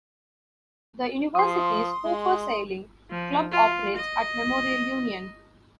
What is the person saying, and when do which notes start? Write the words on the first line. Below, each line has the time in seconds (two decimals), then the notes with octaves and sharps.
The university's Hoofer Sailing Club operates at Memorial Union.
1.35 F3 C6 D#6
2.05 G#3
3.10 F3
3.52 F4
3.97 D#5